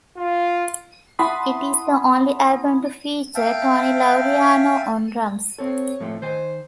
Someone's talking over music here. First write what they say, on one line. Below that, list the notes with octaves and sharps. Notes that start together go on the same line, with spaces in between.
It is the only album to feature Tony Laureano on drums.
F4
E4 F#5 A5 B5 C6 D#6
E5 F5 G5 A5
C4 A4 C#5
A2 F3 A3
D#3 C5 G#5